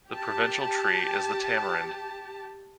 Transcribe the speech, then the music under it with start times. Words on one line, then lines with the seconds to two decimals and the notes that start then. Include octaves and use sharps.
The provincial tree is the tamarind.
0.12 G4 A5